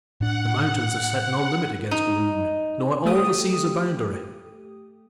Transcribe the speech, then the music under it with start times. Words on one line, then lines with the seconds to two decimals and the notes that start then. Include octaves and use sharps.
The Mountains have set no limit against Roon nor all the seas a boundary.
0.20 A2 D4 F#5
1.91 D#4
3.05 A3 G4 D#6